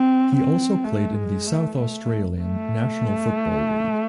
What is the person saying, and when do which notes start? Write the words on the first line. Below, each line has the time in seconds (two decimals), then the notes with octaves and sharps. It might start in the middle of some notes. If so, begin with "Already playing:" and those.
He also played in the South Australian National Football League.
Already playing: C4
0.36 C4
0.84 A3
1.15 G#3
1.47 A3
1.78 A3
2.42 A3